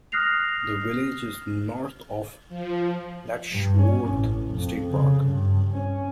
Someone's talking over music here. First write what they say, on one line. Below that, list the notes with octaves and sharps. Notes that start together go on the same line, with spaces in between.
The village is north of Letchworth State Park.
D#6 F6 F#6 A#6 C7 F7
F3
G2
C#4
A1
F2
C#3
G2
C#4